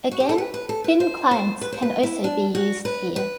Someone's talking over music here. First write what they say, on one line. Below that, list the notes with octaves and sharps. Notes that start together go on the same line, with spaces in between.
Again, thin clients can also be used here.
F#4
G4
A4
B4
B4
A4
B4
C5
C5
B4
C5
B4
E4
D4
F#4
B4
B4